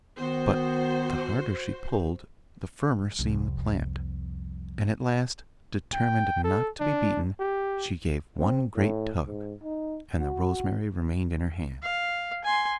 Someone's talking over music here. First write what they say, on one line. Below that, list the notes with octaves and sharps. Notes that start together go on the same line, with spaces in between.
But the harder she pulled the firmer seemed the plant, and at last, determined not to be beaten, she gave one great tug, and the rosemary remained in her hands.
D#3 B3 F#4 C5
C2 F2
G5
A4
D4
G4
C4
A2
G#2
D#4
F#4
F5
G#5 C6